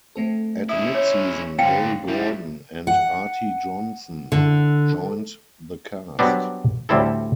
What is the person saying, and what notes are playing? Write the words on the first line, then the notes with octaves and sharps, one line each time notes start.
At midseason, Gale Gordon and Arte Johnson joined the cast.
A3 C4 A4
C#4 E4 E5 D#6
C#5
G2 D3 C4 F5 G5
F#2 G3 E4
F#5
D3
F#3 G3 B3 C4 D4
D2 A2 G3 C4 E4 A4